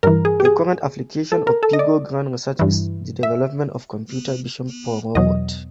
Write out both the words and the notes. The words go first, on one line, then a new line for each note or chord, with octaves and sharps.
A current application of figure-ground research is the development of computer vision for robots.
G2 E3 A#4
G#4
G4
G#4
A4
A#4
A4
D#5
D5
G2 E3
E5
E2 B2 F#3 D#5